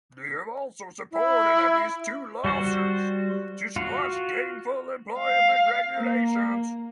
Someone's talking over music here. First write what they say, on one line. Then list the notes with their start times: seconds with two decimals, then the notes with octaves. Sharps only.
They have also supported at least two lawsuits to squash gainful employment regulations.
1.12 E4
2.44 G3 F#4 C5
3.76 F4 F#4
5.18 F5
5.97 A#3